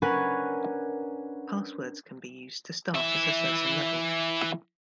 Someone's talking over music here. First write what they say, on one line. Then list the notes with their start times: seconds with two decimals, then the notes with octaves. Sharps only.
Passwords can be used to start at a certain level.
0.02 C#4 D4 A#4 B4 F#5 G#5
2.95 E3 E5